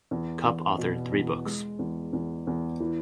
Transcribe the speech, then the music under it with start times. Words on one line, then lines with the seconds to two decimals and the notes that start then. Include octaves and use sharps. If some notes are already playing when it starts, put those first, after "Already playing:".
Cupp authored three books.
0.11 E2
0.45 E2
0.78 B2
1.12 E2
1.46 G#3
1.79 E2
2.13 E2
2.47 E2
2.80 E3